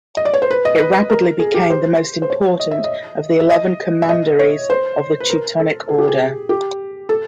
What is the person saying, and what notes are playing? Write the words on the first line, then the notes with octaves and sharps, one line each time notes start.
It rapidly became the most important of the eleven commanderies of the Teutonic Order.
D#5
D5
C#5
C5
B4
D#5
B4
A#4
G#4
G4
C5
C5
C#5
D#5
E5
D#5
E5
D#5
E5
D#5
C#5
C5
B4
A#4
A4
G#4
G4
G#4
G4
A4